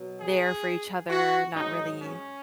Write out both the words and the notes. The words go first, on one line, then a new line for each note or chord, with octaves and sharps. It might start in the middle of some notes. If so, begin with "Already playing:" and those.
there for each other, not really
Already playing: B2 F#3
G#4
F#4
G#2 F#3 D#4
C#4